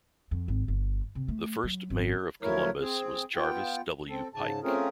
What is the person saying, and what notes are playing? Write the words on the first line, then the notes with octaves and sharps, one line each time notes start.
The first mayor of Columbus was Jarvis W. Pike.
F2
G#1
G1
C3
A3
F#3
G#1
F3 F#3 A3 E4 A#4 C#5
C4 G#4
B3 F4 G5
C4 A4
G#2 C#3 A5
A3 C4 C#4 F4 G#4 A#4